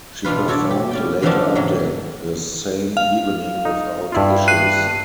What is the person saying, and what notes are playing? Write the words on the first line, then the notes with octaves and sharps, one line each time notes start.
She performed a later update the same evening without issues.
B2 E3 D4 F4 B4
E4 F#4 A4 C#5 D5
G4
C#4 D5 G5
D3 E3 F3 A3 C#4 D4
G#2 C3 F#3
F5
D#4
G2 E4 F4
F#6 C7 D#7